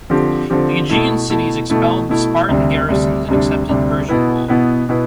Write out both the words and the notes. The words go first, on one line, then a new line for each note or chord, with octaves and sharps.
The Aegean cities expelled the Spartan garrisons and accepted Persian rule.
D3 F3 C4 G4
D3 F3 C4 G4
B2 A3 E4
B2 A3 E4
B2 A3 E4
B2 A3 E4
D2 C3 G3 D4
D2 C3 G3 D4
D2 C3 G3 D4
D2 C3 G3 D4
B2 B3 E4 B4
B2 B3 E4 B4
B2 B3 E4 B4